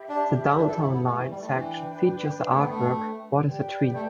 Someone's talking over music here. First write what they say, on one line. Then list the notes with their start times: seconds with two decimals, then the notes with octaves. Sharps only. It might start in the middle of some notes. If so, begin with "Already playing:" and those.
The Downtown Line section features the artwork What is a Tree?
Already playing: G4 E5 B5
0.09 D4
0.57 D4
0.69 A4
0.81 E4
0.94 B3
1.06 A3
1.17 E3
1.30 G3
1.41 A3
1.53 E3 D4 B4 G5
2.50 A3
2.60 B3
2.70 A3
3.46 G4 B4 D5 G5
3.94 A3